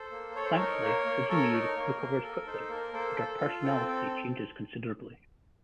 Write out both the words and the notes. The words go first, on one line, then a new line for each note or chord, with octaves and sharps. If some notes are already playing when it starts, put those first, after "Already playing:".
Thankfully, Kazumi recovers quickly, but her personality changes considerably.
Already playing: A4 C5
A#3
A4 C#5
C5
D#4 A#4 C#5
A#3
A#3
A4 A#4 C#5
D#4
A#3 A#4
A#3
A4 A#4
D#4 A4 C5
A#3 A#4
A#3 A4 C5
A4
F4
C4 A4
C4